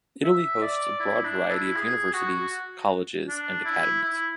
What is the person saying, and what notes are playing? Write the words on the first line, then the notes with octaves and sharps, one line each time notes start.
Italy hosts a broad variety of universities, colleges and academies.
E5
D5
E4
D4
E4
G#4
F#4
D4
E4
E4